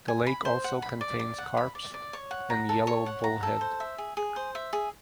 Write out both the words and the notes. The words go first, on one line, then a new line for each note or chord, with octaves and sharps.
The lake also contains carps and yellow bullhead.
G#5
B5
C5
F#5
B5
D5
D5
F#5
B5
D5
D5
C#5
F#5
A#5
A4
C#5
F#5
A#5
A4
C5
E5
G#4
G#4
C5
E5
G#4